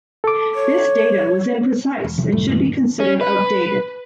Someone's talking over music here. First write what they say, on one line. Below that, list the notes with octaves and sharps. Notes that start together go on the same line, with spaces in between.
This datum was imprecise and should be considered outdated.
A4 D6
C#5
E1
C3 F3 G3
C2 F#2 A2 D#3 A3
G2 B2 E3
C#4
B4